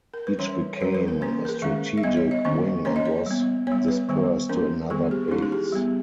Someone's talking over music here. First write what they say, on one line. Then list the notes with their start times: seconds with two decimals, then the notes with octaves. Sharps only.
Each became a strategic wing and was dispersed to another base.
0.14 A#4
0.27 B4
0.39 E3 G3 C#4 C#5
0.76 C#5
0.80 E3 G3 C#4 B4
0.95 B4
1.08 A#4
1.21 E3 A#3 C#4 B4
1.45 A#4
1.48 G#4
1.62 D#3 G#3 C#4 E5
1.98 E5
2.03 G3 B3 D#5
2.17 C#5
2.31 D#5
2.45 D#3 A#3 C#4 D#5
2.85 E3 A#3 C#4 C#5
2.96 D#5
3.06 C#5
3.26 G3 B3
3.67 G3 B3 C#5
3.88 B4
4.09 D#3 G3 B3
4.49 E3 A#3 C#4 A#4
4.90 D#3 G3 B3 G#4
5.11 G4
5.28 D#4
5.31 E3 G#3 C#4 E4
5.42 G#4
5.52 G4
5.72 G3 B3